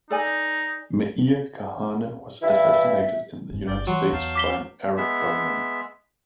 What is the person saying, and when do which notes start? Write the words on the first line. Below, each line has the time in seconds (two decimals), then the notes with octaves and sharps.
Meir Kahane was assassinated in the United States by an Arab gunman.
0.10 D#4 A4 D5 G#5
2.42 G2 E3 E4 E5
3.51 E1 G#2 G#3
3.67 G1 D5 G6
3.87 E3 F#3 F#5 C6
4.13 E2 F5 A5 G6
4.35 D6 B6 G7
4.97 G#3 B3 E5